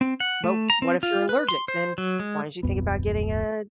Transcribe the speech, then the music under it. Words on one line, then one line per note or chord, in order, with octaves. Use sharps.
but what if you're allergic, then why don't you think about getting a
C4
F#5
A3
A#5
C4
F4
B4
C6
C5
F#3
G#3
D1 B1 F2 B3